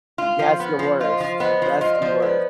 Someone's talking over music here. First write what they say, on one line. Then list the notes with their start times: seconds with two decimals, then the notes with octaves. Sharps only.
That's the worst. That's the worst.
0.18 F4
0.39 F3
0.60 B3
0.79 F3
1.00 F4 C5 D#5
1.20 F3
1.40 B3 C5 D#5
1.62 F3
1.81 F4 D#5
1.95 D5
2.02 F3
2.07 C5
2.20 B3 B4 D5